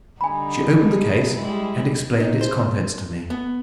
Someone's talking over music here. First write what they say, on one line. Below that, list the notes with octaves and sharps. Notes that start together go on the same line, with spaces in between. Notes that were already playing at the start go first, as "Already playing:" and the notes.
She opened the case, and explained its contents to me.
D3 G3 D#4 G#5 B5
G3 G#3 E4
D#4
C5
B3